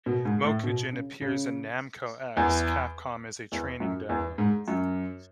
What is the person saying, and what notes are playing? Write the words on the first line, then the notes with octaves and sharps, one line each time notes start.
Mokujin appears in Namco x Capcom as a training dummy.
B2
G#2
A2
B2
C#3
C#3
E2
E2
F#2
E2
G#2
F#2